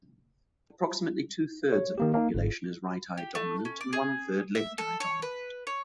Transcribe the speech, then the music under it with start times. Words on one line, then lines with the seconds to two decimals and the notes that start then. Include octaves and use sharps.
Approximately two-thirds of the population is right-eye dominant and one-third left-eye dominant.
1.72 C#5
1.98 D#3 A#3 G4
2.14 A#3 D#4
2.34 G1 G#2
3.18 G4
3.35 A3
3.65 C#4
3.81 D5
3.93 G#4
4.55 E5
4.78 A4
5.00 C#5
5.22 B4
5.67 C#5